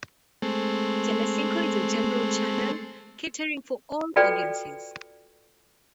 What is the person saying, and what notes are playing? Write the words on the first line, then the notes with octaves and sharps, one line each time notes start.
Telecinco is a general channel catering for all audiences.
G#3 A3 C4
F4 F#4 A4 B4 D5 G5